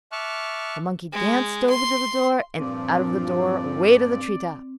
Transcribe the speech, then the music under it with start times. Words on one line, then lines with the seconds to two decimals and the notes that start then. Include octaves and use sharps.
The monkey danced over to the door and out of the door away to the tree top.
0.12 E5 A5 C#6 D6 F6 F#6
1.13 G#3
1.69 C6
2.59 G2 A#2 F3 C4 D5